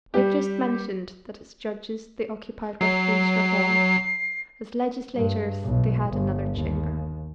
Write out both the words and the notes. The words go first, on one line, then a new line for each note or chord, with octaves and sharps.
We have just mentioned that as judges they occupied Westminster Hall; as legislators, they had another chamber.
G3 G4
F#3 C7
G2
B1
G1
D#2